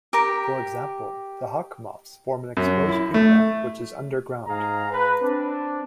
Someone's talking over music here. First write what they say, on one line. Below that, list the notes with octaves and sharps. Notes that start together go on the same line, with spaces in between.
For example, the hawk moths form an exposed pupa which is underground.
G4 A#4
F#2
E4
A3
G#2 G#4 F5 A#5
B4
C4 D4